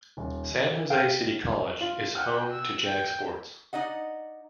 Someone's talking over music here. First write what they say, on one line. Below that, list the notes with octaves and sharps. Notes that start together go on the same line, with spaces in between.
San Jose City College is home to Jagsports.
D#1
F5 G5
F4
F#5 G5 F6
F#4 E6
G5
D#4 D5 D#5 F#5